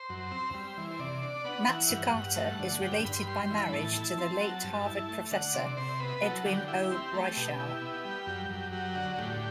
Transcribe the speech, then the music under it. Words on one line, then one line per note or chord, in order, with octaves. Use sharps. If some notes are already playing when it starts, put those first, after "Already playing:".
Matsukata is related by marriage to the late Harvard professor, Edwin O. Reischauer.
Already playing: C5
F#2
C4
G3
E3
C5
C3 D5
D4
B3 F#5
E3
G2
G2
A3
D3
G2 G5
G2 B5
C6
B5
G3 C6
C6
E3
B5
A2 A5
E4
C4
F#3
G2
E4
A3
D3 F#5
C3 D5
C3 C5
B3 B4
F#3 A4
D3 G4
E4 G4
C4
A3
B2 G4
E4
B3
G3
F#2
F#2
F#3 G4
D3 F#4
A2 G4